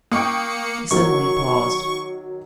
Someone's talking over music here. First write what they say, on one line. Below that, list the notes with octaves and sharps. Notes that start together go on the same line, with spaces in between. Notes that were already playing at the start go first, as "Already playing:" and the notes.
He suddenly paused.
A#3 G5 C#6 D#6 C#7
D#3 F#3 A#3 C#6